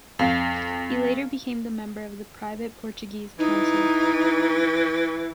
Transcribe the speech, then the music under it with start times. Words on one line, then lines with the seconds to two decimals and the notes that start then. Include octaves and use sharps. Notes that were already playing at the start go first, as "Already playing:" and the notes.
He later became member of the private Portuguese council.
0.19 F2 F5
3.38 E3 D#4